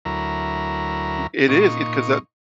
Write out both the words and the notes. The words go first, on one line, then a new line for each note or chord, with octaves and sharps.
It is it 'cause the
D2 F#3 E4 A#4 A#5
A#2 D#4 C#6